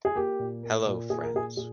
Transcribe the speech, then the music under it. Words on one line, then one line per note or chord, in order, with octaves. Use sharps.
Hello friends.
G#4
A#3 G4
A#2
A#3
A#2
A#2 G#4
A#4
A#2 G#4
A#2 G#4